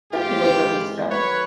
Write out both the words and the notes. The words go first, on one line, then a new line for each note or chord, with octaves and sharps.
That's a good way to release stre
G2 E3 G#3 C4 F4 G4
D#3 F#3 A3 B4 C#5